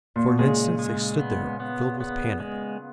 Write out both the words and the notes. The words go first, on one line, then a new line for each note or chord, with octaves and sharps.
For an instant they stood there, filled with panic.
A#2
B2
A#2 C#3 G#3
G#3
B3
B3
B3
G#3